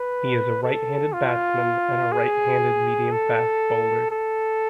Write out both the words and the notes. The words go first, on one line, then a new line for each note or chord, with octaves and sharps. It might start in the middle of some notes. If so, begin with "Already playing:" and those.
He is a right-handed batsman and a right-handed medium-fast bowler.
Already playing: B4
A4
F4
G#4
A4
A4